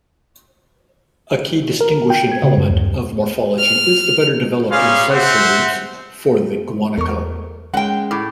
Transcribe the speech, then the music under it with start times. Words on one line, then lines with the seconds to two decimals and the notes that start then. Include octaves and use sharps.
A key distinguishing element of morphology is the better-developed incisor roots for the guanaco.
1.81 A#4
2.10 G5
2.32 G#6
2.43 C#3
2.57 F#2
2.70 D#2
3.59 F6
4.71 G3 C#4 G#4 F5 C6
5.11 C4 C5 E5 F#5
6.97 E2 A3 A#4 C#6
7.74 G#3 A#3 C#4 F#5 G5
8.11 A2 D6